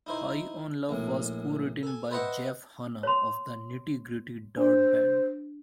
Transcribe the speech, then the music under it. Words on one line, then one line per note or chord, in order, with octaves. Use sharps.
"High on Love" was co-written by Jeff Hanna of the Nitty Gritty Dirt Band.
D#4 E4 C5
A#1 A2
A4 G#5
B4 C5 D#5 E5 F#5 G5
C#5 C6
D4 C5